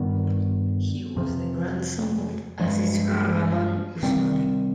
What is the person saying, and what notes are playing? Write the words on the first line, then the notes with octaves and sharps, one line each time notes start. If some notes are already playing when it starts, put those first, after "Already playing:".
He was the grandson of Azizur Rahman Usmani.
Already playing: G2 D#3 G3 B3
F2 C3 F3
G2 F3 G#3
C3 D#3 G3 C4